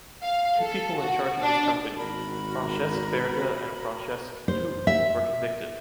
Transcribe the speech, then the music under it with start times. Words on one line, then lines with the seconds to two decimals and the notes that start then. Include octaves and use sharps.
Two people in charge of this company, Francesc Berga and Francesc Tous, were convicted.
0.22 F5
0.61 A4
1.00 F#4
1.42 D4
1.97 G#1 F#4 A#4 B5
4.48 C5
4.87 E5